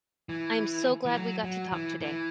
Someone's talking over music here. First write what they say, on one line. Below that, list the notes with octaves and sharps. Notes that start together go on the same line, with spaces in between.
I'm so glad we got to talk today.
E3
E3
F#3
F#3
E3
E3